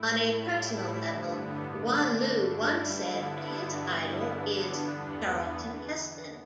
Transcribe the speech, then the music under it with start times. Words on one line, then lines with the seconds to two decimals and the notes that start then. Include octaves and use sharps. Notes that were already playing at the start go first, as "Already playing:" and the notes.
On a personal level, Wanloo once said that his idol is Charlton Heston.
Already playing: A2 A3 E4
0.34 A2 G3 E4
0.99 G2 D3 B3
1.64 D3 A3 D4
2.30 G2 G3 E4
2.95 G2 D3 B3 E4
3.60 G2 E3 B3 E4
4.25 G2 D3 B3 D4
4.90 E2 E3 B3